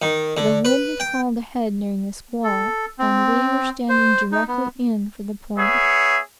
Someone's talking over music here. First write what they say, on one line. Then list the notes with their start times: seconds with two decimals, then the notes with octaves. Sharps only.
The wind had hauled ahead during the squall, and we were standing directly in for the point.
0.02 D#3
0.37 D3
0.65 B4
1.00 G5
2.44 A4
2.99 C4
3.89 C5
4.32 D#4
4.48 B3
5.58 B3 G#4 C#5 E5